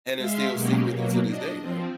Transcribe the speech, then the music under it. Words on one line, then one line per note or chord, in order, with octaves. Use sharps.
And it still stick with you to this day, right?
G#3 E5 F5 C6 B6
B2 F#3 G#3 A#3 C#4 G4
B2 F#3 A#3
D4 D#5
F3 C4